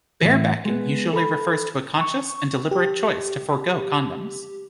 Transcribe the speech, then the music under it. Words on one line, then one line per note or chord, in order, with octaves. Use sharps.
"Barebacking" usually refers to a conscious and deliberate choice to forgo condoms.
A2 E3
G#3 B3
A4 B5
C#6
G4